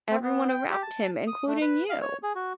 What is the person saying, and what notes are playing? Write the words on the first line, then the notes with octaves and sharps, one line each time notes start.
everyone around him, including you.
C4
B3
G5
G4
A5
D#6
A3
B4
F5
C#5
G#4
F#4